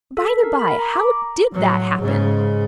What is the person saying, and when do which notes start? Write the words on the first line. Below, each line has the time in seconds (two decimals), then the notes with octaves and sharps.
By the by, how did that happen?
0.17 A4
0.43 A#4
0.59 B5
0.79 A#5
0.94 D6
1.52 A2 F#3
1.98 G#2 C#3